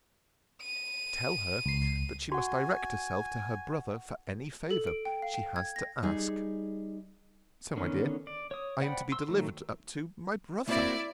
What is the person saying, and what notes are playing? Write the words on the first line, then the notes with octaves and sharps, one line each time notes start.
Tell her, that she must direct herself to her brother for any favour she has to ask.--So, my dear, I am to be delivered up to my brother!
D#7
C#2 C7
F#4 F#5 G#5 C#6
A4
D7
G5
F5
G5
G#6
A#6
G3 D#4 G#4
D3 D#3 B3 C#4
D5
C#5 D#6
C5 D5 F#5 G5 B5
C6 E6
D#3 F#3 A3
A#3 C4 E4 F#4 D5